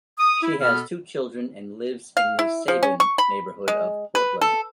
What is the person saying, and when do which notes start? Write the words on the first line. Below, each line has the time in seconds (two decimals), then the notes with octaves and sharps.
She has two children and lives in the Sabin neighborhood of Portland.
0.19 D#6
0.43 E4
0.61 B2 B3 A4 B5 F6
2.17 F5
2.39 E4
2.68 F3
2.83 C#4
3.00 C#6
3.18 B5
3.68 G#3
4.15 B4
4.41 A4